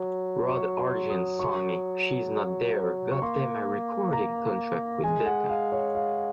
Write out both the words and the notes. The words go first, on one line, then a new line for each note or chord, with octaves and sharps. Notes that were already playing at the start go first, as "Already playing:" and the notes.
Rod Argent's song "She's Not There" got them a recording contract with Decca.
Already playing: F#3
C#6
C6
D#6
C#6
C#6
A#3 C6
A#5
G#3 G#5
F#5
F5
C#5
F5